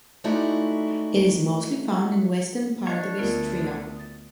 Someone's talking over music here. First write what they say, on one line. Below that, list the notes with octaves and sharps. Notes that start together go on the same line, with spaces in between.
It is mostly found in western part of Istria.
G#3 A3 D#4 E4 F#4 D5
D4 C#5 D#5 F5
D2 B3 F4 A#4
D#6 A6